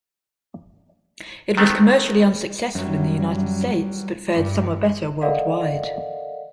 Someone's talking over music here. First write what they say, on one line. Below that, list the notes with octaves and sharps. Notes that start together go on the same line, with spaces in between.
It was commercially unsuccessful in the United States, but fared somewhat better worldwide.
D#3 A3 B3 C4
F#2 F#3 G3
G2
A4 A#4 D5 D#5 F5 F#5